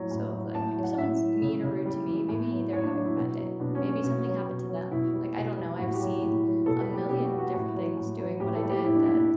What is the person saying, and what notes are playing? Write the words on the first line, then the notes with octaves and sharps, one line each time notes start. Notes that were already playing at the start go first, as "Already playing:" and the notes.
So, it's like, if someone's mean or rude to me, maybe they're having a bad day, maybe something happened to them, like, I don't know. I've seen a million different things doing what I did that
Already playing: A2 F#3
A2
F#3
A2 A5
F#3
F#5
A2 E5
F#3
C#3
C#3
G3
E3
A2
F#3
A2 C#5
D4
F#3 D4
E4
B2
F#3
B2 D4
C#4
F#3
C#4
B2 C#4
F#3
B2
F#3
B2 E4
G3
B2
G3
A2 F#4
G4
F#3
A2
F#3
B2 A4
B4
G3
G4
B2 G4
F#4
G3
F#4
A2
F#3
A2
F#3
A2 G4
A4
G3
G4
A2 E4
D4
G3 E4
D4